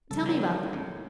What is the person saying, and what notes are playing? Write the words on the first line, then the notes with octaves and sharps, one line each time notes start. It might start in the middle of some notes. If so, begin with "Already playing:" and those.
"Tell me about them."
C#3 F3 G3 A4
E2 D#3 F#3
D#2 A2 C#4